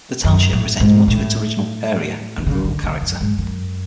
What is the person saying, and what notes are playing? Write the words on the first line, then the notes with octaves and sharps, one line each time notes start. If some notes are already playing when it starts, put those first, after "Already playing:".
The township retains much of its original area and rural character.
F#2
A2
G#2
A2
D3
C#3
D3
C#3
F#2
G#2
F#2